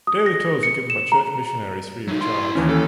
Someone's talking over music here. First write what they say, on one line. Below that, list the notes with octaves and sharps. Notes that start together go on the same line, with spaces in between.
Daily tours are given by Church missionaries free of charge.
D#6
A#6
C#7
E7
A#5
F#3 D#4
E4 C6
D#2 E3 C#4
A4